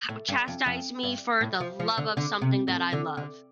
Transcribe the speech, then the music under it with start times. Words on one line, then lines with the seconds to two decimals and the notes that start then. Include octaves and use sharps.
h chastise me for the love of something that I love,
0.09 A2
0.28 G2
0.48 F2
0.66 F2
1.03 G2
1.41 A2
1.60 F3
1.80 F3
1.97 D3
2.17 D3
2.42 C3
2.68 A2
2.93 D3
3.17 D3